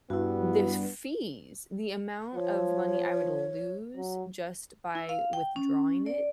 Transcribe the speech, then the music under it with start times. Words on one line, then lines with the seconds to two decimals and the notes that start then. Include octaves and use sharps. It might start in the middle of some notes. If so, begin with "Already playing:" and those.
the f fees, the amount of money I would lose just by withdrawing it,
0.10 G2 B3 E4 F#4
2.35 F3 C#5
3.96 F#3
4.95 E4
5.09 F5
5.33 G5
5.56 C#4
6.06 D5